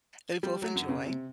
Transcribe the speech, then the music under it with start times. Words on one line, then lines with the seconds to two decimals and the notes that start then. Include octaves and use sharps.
that we both enjoy.
0.43 G3
0.62 F#3
0.75 F#2
0.89 C#3
1.06 C3